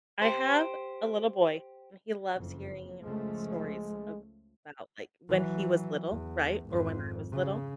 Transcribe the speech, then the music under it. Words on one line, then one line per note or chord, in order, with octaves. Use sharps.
I have a little boy, and he loves hearing stories about, like, when he was little, right, or when I was little.
G4 C5
F#1 F2
C#2 F3 G#3 A3
E3 F#3
E2
G#1 F2
C#3